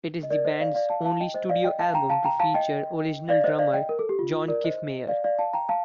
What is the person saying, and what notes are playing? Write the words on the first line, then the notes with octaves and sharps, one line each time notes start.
It is the band's only studio album to feature original drummer John Kiffmeyer.
D#5
A#4 D5
C5 D#5
D5 F5
D5 F5
F5 A5
F5 A5
D#5 G5
C5 D#5
D5 F5
D#5 G5
F5 A5
G5 A#5
F5 A5
G5 A#5
F5 A5
D#5 G5
D5 F5
C5 D#5
D5 F5
D#5 G5
A#4
A4
G4
F4
F4
A#4 D5
C5 D#5
D5 F5
D5 F5
F5 A5
G5 A#5
F5 A5